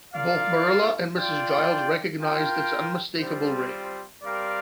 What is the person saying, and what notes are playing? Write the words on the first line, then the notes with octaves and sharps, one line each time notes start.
Both Marilla and Mrs. Giles recognized its unmistakable ring.
F4 A#4 D5 F5
F4 D5 G5
F4 A#4 G5
G3 C4 F4 C5
G3 C4 A#4 D5 F5